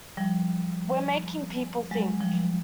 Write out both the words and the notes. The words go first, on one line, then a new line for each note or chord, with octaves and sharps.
We're making people think.
F3 G3
F#3 G#3
F3 G3